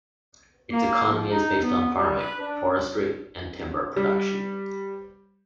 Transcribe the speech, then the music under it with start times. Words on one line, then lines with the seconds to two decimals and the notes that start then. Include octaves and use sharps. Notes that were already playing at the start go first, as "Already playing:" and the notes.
Its economy is based on farming, forestry and timber production.
0.71 A#3
1.08 F3
1.30 D#4
1.62 B3
1.96 G3
2.17 B4
2.39 D4
3.96 G3